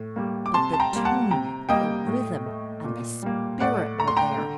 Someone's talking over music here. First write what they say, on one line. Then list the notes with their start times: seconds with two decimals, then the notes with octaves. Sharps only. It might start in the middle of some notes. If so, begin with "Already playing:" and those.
But the tune, the rhythm, and the spirit were there.
Already playing: A2
0.16 G3 A#3
0.46 D6
0.54 C3 A5 C6
0.73 A5
0.80 G5 A#5
0.93 G3 A#3
1.05 F#5 A5
1.31 C3 G5 A#5
1.69 G3 A#3 D#5 G5
2.07 A2
2.46 A3
2.84 A#2
3.23 G3 A#3
3.60 A2 D5 F#5
3.98 A3 A#5
4.08 C6
4.17 G5 A#5
4.37 D3